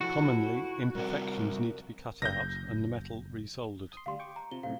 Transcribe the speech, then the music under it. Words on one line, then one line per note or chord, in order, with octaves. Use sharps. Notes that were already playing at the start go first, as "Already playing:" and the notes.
Commonly, imperfections need to be cut out, and the metal re-soldered.
F1 F3 E4 F#4 A4
G3 C4 A#4 D5 F#5
F#1 G6 A#6
C6 D#6
D2 G3 F5 C6
G5 C#6 D6
A#5
C3 F3 G7
F#2 A2 C3 F5